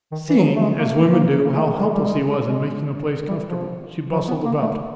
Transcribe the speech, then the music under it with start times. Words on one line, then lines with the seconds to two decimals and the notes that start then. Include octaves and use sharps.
Seeing, as women do, how helpless he was in making the place comfortable, she bustled about.
0.12 D#3
0.29 E3
0.38 F#3
0.45 F3
0.55 A3
0.62 G#3
0.79 A#3
0.87 A3
0.96 A#3
1.12 A#3
1.45 A#3
1.57 A3
1.78 G#3
1.92 G3
2.06 G#3
2.45 G#3
3.28 G3
3.46 F3
4.12 F3
4.28 B3
4.45 A#3
4.62 A3